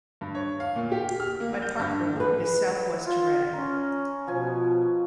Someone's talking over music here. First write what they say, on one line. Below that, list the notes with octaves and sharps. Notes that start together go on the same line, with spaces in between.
By Park Road it is southwest to Reading.
G2
C#5
F5
A#2
G4
F6
A#3
G6
G2
G#4 B4
F4
C#4 A#5
B2 F3 G#5